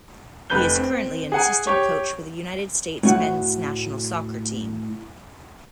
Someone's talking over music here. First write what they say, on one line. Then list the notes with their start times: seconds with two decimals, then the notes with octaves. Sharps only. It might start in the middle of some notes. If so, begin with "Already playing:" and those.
He is currently an assistant coach with the United States men's national soccer team.
0.50 F1 B4 F#6 G6 G7
0.76 C4
1.32 G#4 F#5 G#5
1.67 G4 C#5
3.03 A2 A3 F#4 F#5